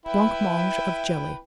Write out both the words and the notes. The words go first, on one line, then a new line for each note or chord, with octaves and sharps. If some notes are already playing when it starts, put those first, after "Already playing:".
Blancmange of Jelly.
E4 B4 E5 G5